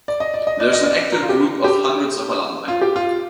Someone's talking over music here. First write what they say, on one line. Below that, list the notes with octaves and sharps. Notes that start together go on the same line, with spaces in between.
There is an active group of hundreds of alumni.
D5
D#5
D5
D#5
D5
D#5
D5
A#4
F4
G4
G4
F4
G4
F4